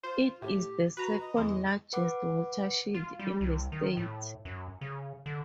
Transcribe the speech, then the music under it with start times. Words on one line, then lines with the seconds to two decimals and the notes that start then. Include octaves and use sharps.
It is the second largest watershed in the state.
0.03 F4 C5
0.42 A2 G4
0.97 F#4 B4 A#5
1.20 D#5
1.36 E2 E3 G#3
1.93 B4 F#5 D6
2.94 F4
3.19 G3
3.41 C2
3.72 D#3
3.97 A2
4.45 F#2
4.81 C#3
5.26 D3